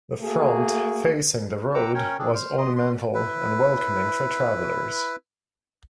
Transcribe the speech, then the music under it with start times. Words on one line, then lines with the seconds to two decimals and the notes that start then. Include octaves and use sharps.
The front, facing the road was ornamental and welcoming for travelers.
0.21 A3 A#3 F#4 G#4 A4
1.75 F#5 G5 A#5 D6 E6
1.95 C#4 A#4 C#5 G5
2.19 C4 D4 G#4 A4
2.34 C5 F6
2.57 D#5 C6
2.76 C6
3.14 E4 B4